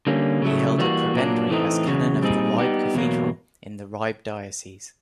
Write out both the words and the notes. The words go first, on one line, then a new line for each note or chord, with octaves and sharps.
He held a prebendary as canon of the Ribe Cathedral in the Ribe diocese.
D3 G3 A#3 C#4
C#3 F#3 A3
E3 G3 A#3 D4 F#4
A#2 F#3 A#3 D4
A2 E3 A3 C4 D#4
E2 C#3 F#3
A#2 G3 C4 D#4 G#4
G3 B3 D#4 G4
E2 B2 F#3 A#3